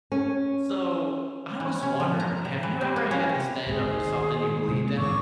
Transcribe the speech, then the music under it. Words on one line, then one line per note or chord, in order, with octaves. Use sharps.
So, I was wondering, have you ever had to stand up for something you believed in?
C#4
E3
C#4
F3
A#5
A2
E3
G3
B3
C#4
C3
G#1 C#2 A#2 G#4 C5
D#3
C3 G#3 C4
G#2 D#3 E3 C#6 D6 E6